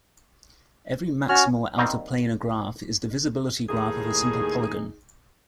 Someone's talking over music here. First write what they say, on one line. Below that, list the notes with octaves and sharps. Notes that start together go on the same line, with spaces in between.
Every maximal outerplanar graph is the visibility graph of a simple polygon.
C#4 F#4 F6
D#3 G3 A#3 C4 D#4
D#2 A2 D#4 G#4